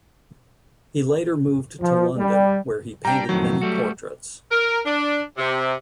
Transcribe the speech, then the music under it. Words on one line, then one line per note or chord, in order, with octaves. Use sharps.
He later moved to London, where he painted many portraits.
F3
G3
G3 D4 G5 A#5
F2 A2 D#3 F#3
G3 A3 F#4
A#4
D4
C3